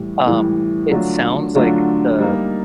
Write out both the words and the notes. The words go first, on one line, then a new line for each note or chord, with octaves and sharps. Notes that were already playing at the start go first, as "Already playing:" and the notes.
um, it sounds like, the
Already playing: A2 E3 G3
A2 E3 G3
D3 F#3 A3 D4 F4
D3 F#3 A3 D4 F4
G3 A#3 D#4